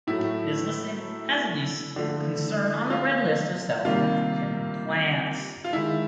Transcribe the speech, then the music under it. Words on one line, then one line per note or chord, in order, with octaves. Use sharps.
It is listed as least concern on the Red List of South African Plants.
A2 F#3 A3 E4
D3 F3 A3
F4
C3 D#3 G3 A#3 F4
F4
D#3 G#3 E4